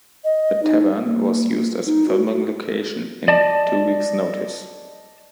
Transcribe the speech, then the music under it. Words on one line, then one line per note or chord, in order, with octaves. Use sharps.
The Tavern was used as a filming location in "Two Weeks Notice".
D#5
D#4
A#3
D#4
F#4
D5 D#5 A5